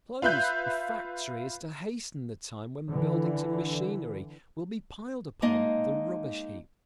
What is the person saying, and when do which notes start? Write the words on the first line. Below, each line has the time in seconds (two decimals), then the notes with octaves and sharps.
To close a factory is to hasten the time when buildings and machinery will be piled upon the rubbish heap.
0.22 F4 B4 E5 F#6 G6
2.91 D3 E3
5.42 G#3 A#3 D#4 D#5 A5